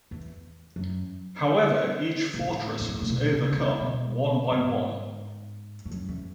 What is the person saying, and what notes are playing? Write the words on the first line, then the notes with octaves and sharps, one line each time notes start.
However, each fortress was overcome one by one.
E2
F#2
B2
A2
E2
F#2
G#2
A2
B2
C#3
E3
D#3
B2
G#2
G#2
F#2
E2